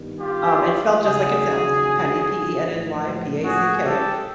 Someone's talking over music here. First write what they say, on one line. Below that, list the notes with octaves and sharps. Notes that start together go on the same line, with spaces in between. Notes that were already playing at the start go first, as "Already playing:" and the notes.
Um, and spelled just like it sounds, Penny, P-E-N-N-Y P-A-C-K,
Already playing: G2 D#3 G3 B3
F4 G4
D#2 C#3 F#3 F#4 G#4
A2 F3 A#3
F#4 G#4
G4 A4